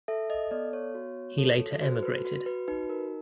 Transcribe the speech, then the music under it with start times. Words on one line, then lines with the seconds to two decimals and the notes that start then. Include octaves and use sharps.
He later emigrated.
0.08 A4 E5
0.30 D#5
0.51 B3 D5
0.73 C#5
0.95 F#4
1.38 A4
1.81 F#4 C5
2.03 B4
2.24 F#4
2.46 B4
2.68 D#4 B4
2.90 A#4